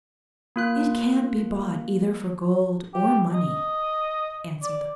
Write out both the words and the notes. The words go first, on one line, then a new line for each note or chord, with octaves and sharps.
"It can't be bought either for gold or money," answered the girl.
A#3 F4 F#6
G4
D#5
D5